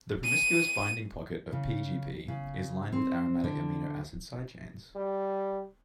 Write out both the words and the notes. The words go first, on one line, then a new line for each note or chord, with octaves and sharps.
The promiscuous binding pocket of P-gp is lined with aromatic amino acid side chains.
D#7
C#3
C#3
C4
D3
G3